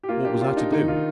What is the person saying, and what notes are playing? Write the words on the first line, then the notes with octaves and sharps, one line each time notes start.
What was I to do?
G4
A#3 F4
D4 G4
G4
D4 F4
D4 D#4
D#3 D#4
D#3 F4